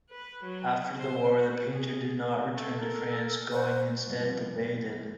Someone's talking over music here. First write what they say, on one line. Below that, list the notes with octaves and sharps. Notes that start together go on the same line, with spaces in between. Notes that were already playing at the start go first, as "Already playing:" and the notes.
After the war, the painter did not return to France, going instead to Baden.
B4
F#3
C5
F#4
G#4
A3 A4
A#4
F#4 C5
G2 C3 F3 G3 A#3 B3
F#2 E3